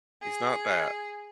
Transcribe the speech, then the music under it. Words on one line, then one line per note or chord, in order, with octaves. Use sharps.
He's not that
G#4